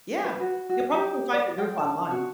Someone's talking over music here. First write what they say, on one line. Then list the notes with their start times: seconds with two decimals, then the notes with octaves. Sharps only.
Yeah. You'll probably find a group online.
0.25 B4
0.40 F#4
0.69 F#4
0.93 G4
1.33 D5
1.58 G5
1.78 A5
2.11 F#4